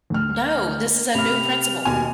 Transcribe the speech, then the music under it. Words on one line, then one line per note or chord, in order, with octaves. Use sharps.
No, this is a new principal.
D2 F6
C3 C#4 G4 B5 F6 F7
D#2 B2 G#5